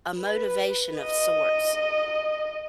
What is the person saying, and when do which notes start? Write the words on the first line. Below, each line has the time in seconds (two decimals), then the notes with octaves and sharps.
a motivation of sorts,
0.19 B4
0.98 D#5